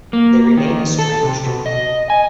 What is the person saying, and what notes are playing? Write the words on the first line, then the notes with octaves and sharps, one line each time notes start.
They remain estranged.
A#3
D#3
A4
C3
B2
D#5
G#5